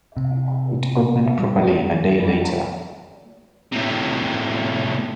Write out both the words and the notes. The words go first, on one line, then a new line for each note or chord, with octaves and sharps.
It opened properly a day later.
C3
G3
A2 C3